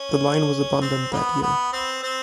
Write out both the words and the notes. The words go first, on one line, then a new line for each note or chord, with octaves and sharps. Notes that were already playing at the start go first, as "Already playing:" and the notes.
The line was abandoned that year.
Already playing: C#4
C4
B3
B3
C4
C4